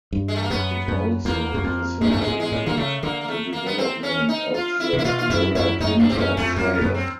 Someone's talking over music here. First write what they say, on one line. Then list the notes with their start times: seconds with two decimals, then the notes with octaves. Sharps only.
It also facilitated the development of the Larapinta Trail.
0.13 G2
0.28 G#3
0.36 A3
0.42 A#3
0.50 F#2 B3
0.88 F#2
1.25 E2 A#3
1.54 F#2
1.64 F2
2.01 G2 G#3
2.10 F#2 A3
2.17 G2 G#3
2.27 G#2
2.40 G#3
2.52 A2
2.66 D3 A#3
2.77 C#3 A3
3.03 D3 A#3
3.21 A#3
3.28 A3
3.53 A#3
3.66 B3
3.78 C4
4.03 C#4
4.29 D#4
4.54 F4
4.80 E4
4.93 C3
4.99 E4
5.04 B2 F4
5.19 F4
5.30 F#2 E4
5.55 F#2 E4
5.80 F#2 D#4
5.99 G2 D4
6.09 G2 C4
6.18 F#2 C#4
6.37 F2 A3
6.56 F2 A#3
6.75 B3
6.81 F#2
6.94 C4